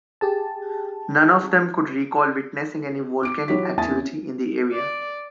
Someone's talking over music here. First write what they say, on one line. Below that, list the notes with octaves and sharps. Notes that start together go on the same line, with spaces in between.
None of them could recall witnessing any volcanic activity in the area.
G4 G#4 A5
D6 D7
E3 F#3 F#4 G4 D6 B6
E2 A#3 E5 G#5 D#6 A6
D5